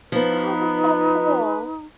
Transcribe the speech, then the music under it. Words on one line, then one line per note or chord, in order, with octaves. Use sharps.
Oh, that's so cool.
F3 B3 D#4 B4